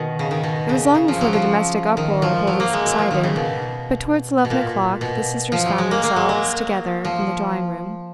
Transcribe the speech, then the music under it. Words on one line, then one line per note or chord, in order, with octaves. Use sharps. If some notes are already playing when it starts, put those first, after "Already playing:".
It was long before the domestic uproar wholly subsided, but towards eleven o'clock the sisters found themselves together in the drawing-room.
Already playing: B2 D#3
C#3
D#3
B2
C#3
C#3
F3
F#3
F3
D#3
F3
F#3
A#3
G#3
F#3
F3
D#3
C#3
B2
B2
A#2
B2
F3
F#3
G#3
A#3
A#3
G#3
F#3
F3